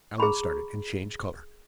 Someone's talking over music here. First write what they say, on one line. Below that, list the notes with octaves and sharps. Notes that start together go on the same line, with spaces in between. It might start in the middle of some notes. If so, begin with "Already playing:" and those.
Allan started, and changed color.
G#4 A#5 B5 C#6